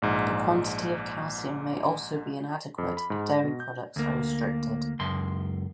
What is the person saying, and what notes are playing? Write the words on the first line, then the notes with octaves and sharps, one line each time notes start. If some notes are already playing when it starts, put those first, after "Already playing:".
The quantity of calcium may also be inadequate if dairy products are restricted.
A#1 G#2
F2
B5
G#2
A#6
B2
G6
D2 A#3
C#2 F#2 C6